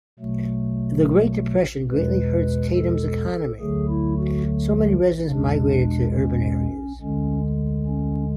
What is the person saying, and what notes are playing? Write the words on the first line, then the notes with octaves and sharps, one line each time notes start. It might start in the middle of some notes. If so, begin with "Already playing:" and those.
The Great Depression greatly hurt Tatums' economy, so many residents migrated to urban areas.
B2 F#3 A3
E2 B2 G#3 B4
A4
D2 D3 F#3 A3 G#4
E4
F#4
E2 B2 G#3 D4
C#4
D2 D3 G#3 C#4
C#4